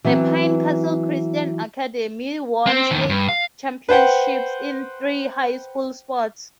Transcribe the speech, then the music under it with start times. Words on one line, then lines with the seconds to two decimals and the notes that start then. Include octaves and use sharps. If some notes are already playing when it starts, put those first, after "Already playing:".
The Pine Castle Christian Academy won state championships in three high school sports.
0.04 E3 F#3 B3 C4
2.67 C4
2.91 E2 D#3
3.10 G2
3.29 F5
3.89 B4 C5 F#5 G5